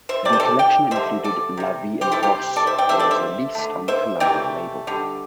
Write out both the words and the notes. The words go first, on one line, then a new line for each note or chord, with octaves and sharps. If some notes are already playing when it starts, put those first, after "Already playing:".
The collection included "La Vie en rose" and was released on the Columbia label.
C5 E5
C3 A3 C5 D5
A4 D5
D5 G5
D3 G3 C5 E5
A4 D5
C3 G3
G4 C5
E4 A4
C3 G3 G4 C5
A4 D5
C5 E5
D5 G5
D3 G3 C5 E5
A4 D5
C5 E5
D3 A3
C5 E5
C3 E3 A3 D5 G5
D3 G3